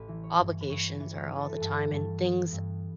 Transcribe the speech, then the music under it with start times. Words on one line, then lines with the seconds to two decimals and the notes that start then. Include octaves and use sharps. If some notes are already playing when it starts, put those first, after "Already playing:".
Obligations are all the time, and things
Already playing: A1 B4
0.08 E3
0.23 C#5
0.39 G2
0.61 B4
0.69 G2 C#5
1.00 E3
1.16 C#5
1.27 E3 B4
1.38 A4
1.50 B4
1.61 G2 A4
1.92 G2
2.23 B3
2.52 G2